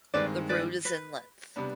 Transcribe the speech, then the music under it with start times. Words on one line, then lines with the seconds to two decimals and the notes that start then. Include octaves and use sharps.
The road is in length.
0.14 G2 D#3 G#3 C4 B4 D5
0.49 B4 D5
0.85 B4
1.56 C3 G3 B3 D4